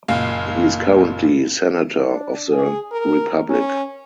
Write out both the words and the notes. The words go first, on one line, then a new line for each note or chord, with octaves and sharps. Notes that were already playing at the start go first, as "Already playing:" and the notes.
He is currently Senator of the Republic.
F#1 A#2 F5
D4
G#4
A#4
C#4